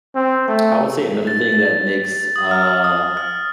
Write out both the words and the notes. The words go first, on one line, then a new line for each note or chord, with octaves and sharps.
I would say another thing that makes, uh,
C4
A3
A6
A6
D#6
F6
D#6
F6